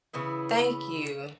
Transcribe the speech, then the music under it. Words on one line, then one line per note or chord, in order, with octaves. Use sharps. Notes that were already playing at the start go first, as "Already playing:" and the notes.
Thank you.
C#3 E3 B3 E4